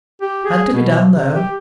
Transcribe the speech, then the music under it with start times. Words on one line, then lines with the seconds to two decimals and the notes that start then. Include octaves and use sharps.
Had to be done, though.
0.21 G4
0.45 G#4
0.73 B2
1.11 C3
1.35 G4